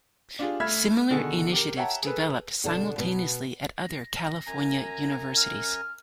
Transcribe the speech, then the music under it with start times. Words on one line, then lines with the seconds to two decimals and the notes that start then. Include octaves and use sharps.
Similar initiatives developed simultaneously at other California universities.
0.39 D4 F4 G4 G#4
0.60 A3 E5 B5 F6 G#6 B6
1.10 B2 D3 D#3 F#4 G#4
1.52 G4 A#4
1.77 C#5 E5 F#5 G5 A5 A#5
2.03 G#4 A4 B4
2.64 B2 D3 A5
2.98 B2 B3
3.79 A#6
4.47 F#2 G#5 A#5
5.37 F6